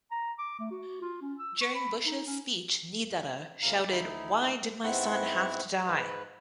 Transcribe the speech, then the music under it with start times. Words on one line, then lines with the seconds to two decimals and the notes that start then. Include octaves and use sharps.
During Bush's speech, Niederer shouted Why did my son have to die?
0.11 A#5
0.39 D6
0.59 A3
0.71 F#4
1.02 F4
1.22 C#4
1.39 E6
1.61 C#6
1.75 B5
2.05 D#4
2.27 C#4
3.63 D2 C#3 E3 F5 A#5
3.89 D2 D#4 E4
4.84 G#2 B3 C4 E4 F#5 C#6
5.87 G#2 B4